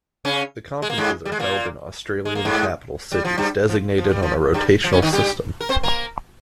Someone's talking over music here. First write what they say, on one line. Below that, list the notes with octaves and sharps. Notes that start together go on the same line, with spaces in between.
The conferences are held in Australian capital cities designated on a rotational system.
C#3 C#4
G#3
A#3
G#2 G#3
G3
G#3
A#2 A#3
G#3
A#3
G#2 G#3
G3
F3
G2 G3
F3
F3
G3
F3
G2 G3
F3
C#3 C#4
D#3 D#4
G3 G4
A#4
C4 C5
A#3 A#4